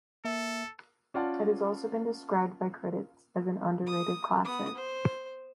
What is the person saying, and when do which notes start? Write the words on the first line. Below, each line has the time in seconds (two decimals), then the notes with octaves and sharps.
It has also been described by critics as an "underrated classic".
0.25 A#3 A4 E5
1.14 C#4 F4 D5 F#5 A5
3.86 D#6
4.45 B3 D#6
4.76 C5